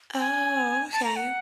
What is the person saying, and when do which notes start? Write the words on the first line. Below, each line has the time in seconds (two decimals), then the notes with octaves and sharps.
Oh, okay.
0.20 G#5
0.92 A5
1.04 A#5
1.16 F#5